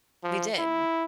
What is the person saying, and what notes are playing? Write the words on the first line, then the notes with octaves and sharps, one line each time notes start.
We did.
F3
E4